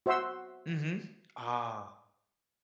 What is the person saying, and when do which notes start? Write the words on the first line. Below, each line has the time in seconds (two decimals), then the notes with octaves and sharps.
Mhm, ah.
0.06 F#4 C5 E5 F#5 C6 E6